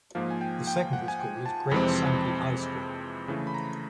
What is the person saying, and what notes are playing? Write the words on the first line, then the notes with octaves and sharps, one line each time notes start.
The secondary school is Great Sankey High School.
G#2 F3 A#3 F5
G#5
G5
G5
F#5
G#5
G5
A5
F2 C3 E3 G#3 C4
C#3 E3 A3
B5
A#5